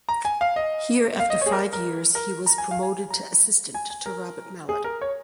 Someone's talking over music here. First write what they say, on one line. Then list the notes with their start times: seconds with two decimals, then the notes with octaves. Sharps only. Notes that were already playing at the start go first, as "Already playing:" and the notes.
Here after five years he was promoted to Assistant to Robert Mallet.
0.09 A#5
0.25 G#5
0.41 F5
0.56 D#5
1.19 F5
1.30 D#5
1.41 C#5
1.46 G#4
1.52 A#4
1.73 A#4
2.15 A#4
2.46 A#5
2.58 G#5
2.71 F5
2.83 G#5
3.10 A#5
3.74 G#5
3.90 G#5
4.06 A#4
4.69 G#4
4.84 A#4
5.01 C#5